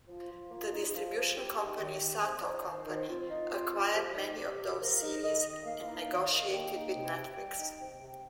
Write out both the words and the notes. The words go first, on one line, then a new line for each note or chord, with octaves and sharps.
The distribution company Sato Company acquired many of those series and negotiated with Netflix.
F3 F4
F3
A#3
D#4
F3
F3
A#3 G4
D#4
D#3
D#3
C4 C5
D#4
D#3
D#3
C4 F4
D#4
C3
C3
F3 G4
D#4
C3
C3
F3 A#4
D#4
D#3 D#5
D#3
A#3 F5
D#4
D#3
D#3
A#3 G5
D#4
C3
C3
G3
D#4
C3
C3